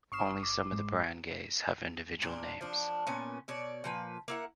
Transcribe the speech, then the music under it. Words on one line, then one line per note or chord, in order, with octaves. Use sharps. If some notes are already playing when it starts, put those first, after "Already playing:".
Only some of the barangays have individual names.
G1 C#6 D#6 F6 C7 E7
D6
G#2 G#3
A#2 D4
F3 D4
A#2 B3 C#4
B2 C#5 D5
A#2 F3 B4
A#3 E4 F#5